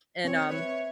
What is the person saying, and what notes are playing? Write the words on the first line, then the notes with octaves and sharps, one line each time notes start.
and, um,
C4 C#5
B4 C#5 E5